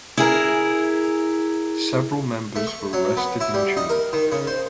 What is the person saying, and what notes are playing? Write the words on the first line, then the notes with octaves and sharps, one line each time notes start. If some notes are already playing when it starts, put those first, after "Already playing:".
Several members were arrested in June.
E4 G#4 A#4
A3
C#6
F#3
B3
E4
G3
D#4
A#4
D#3
C#3
C5